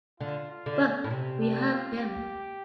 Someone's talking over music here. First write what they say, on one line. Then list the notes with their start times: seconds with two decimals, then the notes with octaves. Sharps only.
But we have them!
0.20 D3 F4
0.51 F4
0.66 D3
1.04 A2
1.11 C3 C4
1.41 D4
1.71 F4
2.01 G4